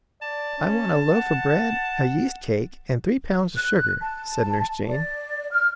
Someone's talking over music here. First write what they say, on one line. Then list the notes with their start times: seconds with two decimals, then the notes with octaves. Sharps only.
"I want a loaf of bread, a yeast cake and three pounds of sugar," said Nurse Jane.
0.22 D5 A5
0.59 C#4
1.09 F#5
3.56 F#6
4.01 A5
4.88 D5
5.52 F6